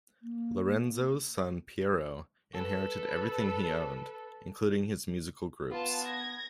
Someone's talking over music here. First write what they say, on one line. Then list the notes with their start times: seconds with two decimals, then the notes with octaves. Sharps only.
Lorenzo's son Piero inherited everything he owned, including his musical groups.
0.22 A#3
2.54 A4 B4
5.71 B3 F4 A5
6.04 G#6 A#6